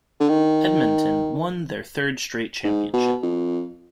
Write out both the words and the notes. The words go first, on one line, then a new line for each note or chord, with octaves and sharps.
Edmonton won their third-straight championship.
D3
D#3
G#2
B2
F2